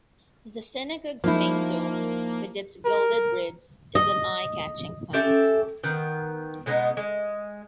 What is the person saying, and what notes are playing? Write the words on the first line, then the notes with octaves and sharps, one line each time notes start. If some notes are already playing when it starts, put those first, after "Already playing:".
The synagogue's main dome with its gilded ribs is an eye-catching sight.
F3 A#3 D#4 E4
A#4
D#5
C#4 G4 A4 E5
D#3 B3
B2 G#3 B3 D#4
G#3